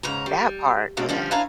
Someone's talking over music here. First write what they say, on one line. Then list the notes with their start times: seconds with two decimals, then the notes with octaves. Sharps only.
That part, yes.
0.03 G#2 C#3 C#5 A#5
0.26 G3
0.97 F#2 B2 F#3 G#3 A#3 D4
1.09 D3 F3 G3 C#4
1.31 D4 E4 C#5 F5 G#5 A#5